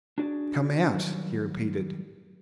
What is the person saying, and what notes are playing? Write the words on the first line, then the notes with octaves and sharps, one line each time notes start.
"Come--out," he repeated.
D4 F#4 G#4 D5
D#3 F#3 G3